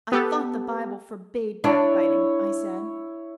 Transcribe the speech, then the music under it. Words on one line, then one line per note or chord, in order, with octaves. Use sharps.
"I thought the Bible forbade back-biting," I said.
B3 G4 A4
D4 E4 C#5